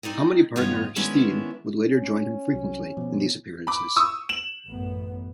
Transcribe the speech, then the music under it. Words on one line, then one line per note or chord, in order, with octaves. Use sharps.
Comedy partner Steen would later join him frequently in these appearances.
C4 D#4 D5 D#5
G2 D#3 B3 F4 C#5 D#5
D#3 G#3 B3 C#4 D4 E4
C#4
C2 F#3
B2 F3
B5 D6
C#6 D#6 E6
E7 F#7
A1 F#2 B3